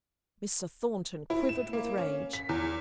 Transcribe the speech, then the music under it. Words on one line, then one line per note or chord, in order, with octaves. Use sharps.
Mr. Thornton quivered with rage.
E4
E7
A#3
C#4
B6
E2